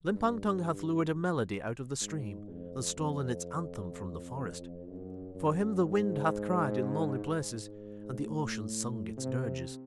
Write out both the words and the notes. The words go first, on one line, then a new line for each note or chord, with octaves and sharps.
Limpang-Tung hath lured a melody out of the stream and stolen its anthem from the forest; for him the wind hath cried in lonely places and the ocean sung its dirges.
G2
G#2
F2
F2
F#2
F#2
G#2
G#2
A2
C3